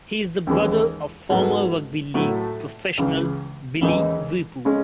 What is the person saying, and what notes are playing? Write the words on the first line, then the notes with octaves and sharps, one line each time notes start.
He is the brother of former rugby league professional Billy Weepu.
D#2 C#3 E3 G#3
G#2 F#3 B3 F#4 A4
A2 F#3 A3 E4 A4
C#2 C#3 E3
D#2 C#3 E3 G#3 D#4
C#3 G#3 C#4